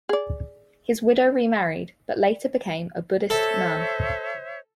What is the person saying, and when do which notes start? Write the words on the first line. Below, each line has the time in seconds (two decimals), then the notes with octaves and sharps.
His widow remarried but later became a Buddhist nun.
0.09 G#4 D5
3.30 A4 C5 C#5 E5